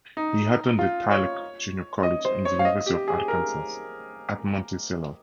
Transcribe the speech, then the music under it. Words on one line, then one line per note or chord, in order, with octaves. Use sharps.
He attended Tyler Junior College and the University of Arkansas at Monticello.
D#4
F4
C#5
D#5
C5
C#5
F5
D#5
G4
G#4
A#4